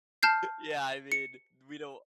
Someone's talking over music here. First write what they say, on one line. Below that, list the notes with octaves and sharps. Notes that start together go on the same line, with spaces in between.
yeah, I mean, we don't
A5 F6 G6 C7
C#7